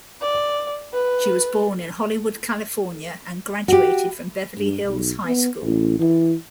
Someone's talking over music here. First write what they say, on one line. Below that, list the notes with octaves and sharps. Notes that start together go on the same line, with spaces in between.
She was born in Hollywood, California and graduated from Beverly Hills High School.
D5
B4
F#4 G4
G2
B1
B3
A1
E3